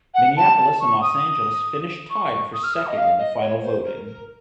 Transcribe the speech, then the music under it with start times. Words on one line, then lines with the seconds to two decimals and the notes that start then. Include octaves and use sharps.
Minneapolis and Los Angeles finished tied for second in the final voting.
0.14 F#5
0.36 A5
0.57 A5
0.79 C#6
1.01 D#6
2.09 C#6
2.53 D#6
2.63 F6
2.73 D#6
2.86 D#5
2.97 F5
3.18 D#5
3.40 C#5
3.62 C5
3.83 A#4
4.06 A#4